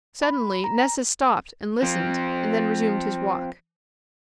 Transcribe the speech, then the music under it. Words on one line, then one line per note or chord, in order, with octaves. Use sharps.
Suddenly Nessus stopped and listened, and then resumed his walk.
B5
A#5
F3 C4